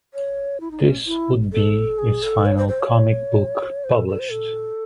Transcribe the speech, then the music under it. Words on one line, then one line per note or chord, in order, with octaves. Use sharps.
This would be his final comic book published.
C#5
E4
D#4
C#4
E4
A4
G#4
A4
C#5
C5
C5
C#5
C5
A4
A4
C5
A4